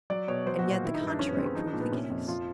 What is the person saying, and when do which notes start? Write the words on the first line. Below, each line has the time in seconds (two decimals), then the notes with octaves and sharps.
And yet the contrary proved the case.
0.10 F#3 D5
0.28 B2 C#5
0.46 F#3 C5
0.59 F#4
0.64 A#2
0.71 F4
0.83 D#3 E4
0.95 D#4
1.01 G2
1.07 D4
1.19 F3 C#4
1.28 B3
1.37 C#3 C4
1.46 C#4
1.55 F3 D#4
1.67 D4
1.73 A#2
1.80 B3
1.92 C3 C#4
2.10 F2
2.28 F3 F4